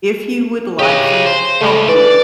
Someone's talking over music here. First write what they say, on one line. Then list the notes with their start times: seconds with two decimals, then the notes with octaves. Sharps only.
If you would like for me to help you,
0.79 C#3 G4 D#5
1.26 C5
1.61 C#3 G#3 A3
1.88 E3 D5